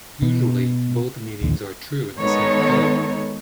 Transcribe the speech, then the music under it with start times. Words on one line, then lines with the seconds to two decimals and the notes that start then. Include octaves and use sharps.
Usually both meanings are true at the same time.
0.22 B2 B3
1.41 A#1 D#2 D3
2.17 D#3 G#3 B3 D#4 A4 C#5